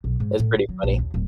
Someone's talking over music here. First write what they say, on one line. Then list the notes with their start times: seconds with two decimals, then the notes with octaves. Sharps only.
It's pretty funny.
0.04 B1
0.20 G#2
0.39 A2
0.53 A1
0.69 F#3
0.83 A#1
0.98 D#2
1.14 D1